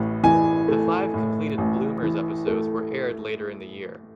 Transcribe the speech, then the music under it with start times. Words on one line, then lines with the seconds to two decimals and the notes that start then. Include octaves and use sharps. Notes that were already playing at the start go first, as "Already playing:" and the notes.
The five completed "Bloomers" episodes were aired later in the year.
Already playing: A1 A2
0.23 E3 G#5
0.68 A3
1.14 A2
1.58 A1
2.02 E3
2.47 A3